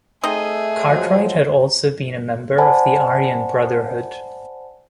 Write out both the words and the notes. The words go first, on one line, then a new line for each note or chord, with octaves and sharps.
Cartwright had also been a member of the Aryan Brotherhood.
A3 C4 D#4 G#4 D#5 E5
F3 F#3 G#3
C5 D5 F#5 G#5 A5 B5